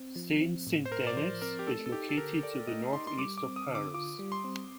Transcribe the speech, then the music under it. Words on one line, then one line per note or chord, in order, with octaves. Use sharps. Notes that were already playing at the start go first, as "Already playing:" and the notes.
Seine-Saint-Denis is located to the northeast of Paris.
Already playing: C4
F3
C4
A2
C5
A2 A#4
D5
F3 C5
C4 A#4
G4
A3 A4
A4
D#4 G4
A4
D3 A#4
A4 D5
A3 D#5
D#4 C6
C6
G3 D6
D6
C4
D#6
D3
D6
F4 D6
G3
C6
C4